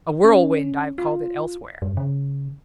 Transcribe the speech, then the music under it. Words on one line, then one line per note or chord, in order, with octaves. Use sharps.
A whirlwind I have called it elsewhere.
C#4
F4
G2
C#3